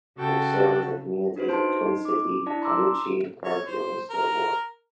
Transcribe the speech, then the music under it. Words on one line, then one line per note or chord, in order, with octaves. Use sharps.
It serves the communities of Twin City, Canoochee, Garfield, and Stillmore.
C#3 F#4 A4 G5
D4 F#4 B4 C5
D#4 A5 C6 G6 D7
D#4
D6
D4 E4 D5 A5
A#5 C6 D6 E6
C#5
C5
A#4